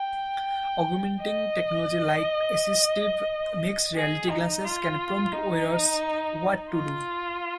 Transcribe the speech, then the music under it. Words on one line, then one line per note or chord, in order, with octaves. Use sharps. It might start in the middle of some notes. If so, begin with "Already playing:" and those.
Augmenting technology like assistive mixed reality glasses can prompt wearers what to do.
Already playing: G5
D#5
G#4
D#4
F4
D#4
F4